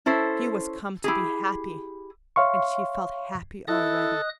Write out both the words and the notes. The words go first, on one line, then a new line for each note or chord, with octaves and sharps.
She was come to be happy, and she felt happy already.
C#4 E4 A4 C5
E4 G4 G#4
C#5 E5 F5 C6 C#6
E4 A4 D#5 D#6 F#6